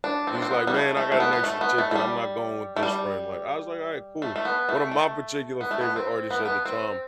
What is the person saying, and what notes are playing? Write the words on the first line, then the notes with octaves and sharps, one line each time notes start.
he's like, "Man, I got an extra ticket. I'm not going with this friend." Like, I was like, "Alright, cool." One of my particular favorite artists at the time,
D4
C4
D4
C4
B3
G3
A3
A3
A3
B3
B3
A3
B3
A3
A3
G3
A3
G3
A3
A3
B3
A3
A3
B3
A3
B3
C4
B3
A3
B3
C4